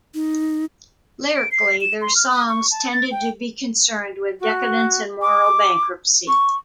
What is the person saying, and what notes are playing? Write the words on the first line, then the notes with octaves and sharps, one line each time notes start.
Lyrically, their songs tended to be concerned with decadence and moral bankruptcy.
D#4
D7
C7
E7
C6
F6
D#6
C#6
A5
A6
G5
F#4
D6
C#6